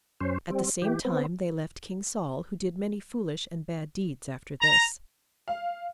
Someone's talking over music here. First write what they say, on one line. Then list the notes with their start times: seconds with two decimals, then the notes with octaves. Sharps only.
At the same time, they left King Saul, who did many foolish and bad deeds after this.
0.21 F#2 C#4 C5
0.50 G3 C4
0.82 E3 G4
1.05 B3 C4
4.61 A#5
5.48 F5